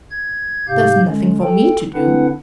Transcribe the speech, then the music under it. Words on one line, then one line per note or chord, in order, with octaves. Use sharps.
There's nothing for me to do.
G#6
G#2 C3 G4 F5 G6
D3 G#3 C#4
A4 G5
D3 C4 D4 E4 B4 F#5